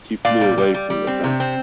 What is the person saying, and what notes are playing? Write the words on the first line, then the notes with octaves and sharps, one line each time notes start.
He flew away from the fence.
A#2 D5 F5
G3
G3
G3
G3
C4
C3
C4